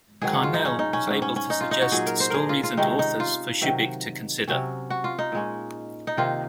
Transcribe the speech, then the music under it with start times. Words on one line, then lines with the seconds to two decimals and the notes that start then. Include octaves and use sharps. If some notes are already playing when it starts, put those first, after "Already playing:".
Carnell was able to suggest stories and authors for Shubik to consider.
0.21 G#2 D#3 F#3 G#4
0.33 F#4
0.43 F4
0.54 D#4
0.65 C#4
0.79 D#4
0.93 C#4
1.07 G#2 F#3 C#4
1.22 C#4
1.36 C#4
1.50 D#4
1.61 F4
1.71 D#4
1.81 F#4
1.92 A#2 F#3 C#4 G#4
2.06 A#4
2.20 C5
2.30 G#4 A#4
2.49 F4
2.63 F4
2.77 C3 D#3 G#3 C#4 D#4
2.99 D#4
3.20 F4
3.61 C3 D#3 F#3
4.48 C3 F#3 C#4
4.90 F#4
5.04 F4
5.19 D#4
5.32 A#2 G#3 C#4
6.07 D#4
6.17 C3 D#3 A#3 F4